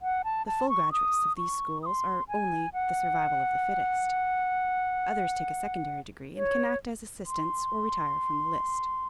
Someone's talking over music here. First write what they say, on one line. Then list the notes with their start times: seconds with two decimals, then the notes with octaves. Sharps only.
The full graduates of these schools are only "the survival of the fittest." Others take a secondary degree and can act as assistants or retire from the list.
0.02 F#5
0.24 A5
0.46 A5
0.69 C#6
0.92 D#6
1.37 C#6
1.83 D#6
1.86 C6
2.28 G#5
2.73 F#5
6.36 C#5
7.26 C6